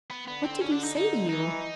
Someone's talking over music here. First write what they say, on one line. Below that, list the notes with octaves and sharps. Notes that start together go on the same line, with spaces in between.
"What did he say to you?"
B3
D3 B3
C4
D3 C#4
D4
D#4
D3 D#4
E3 D#4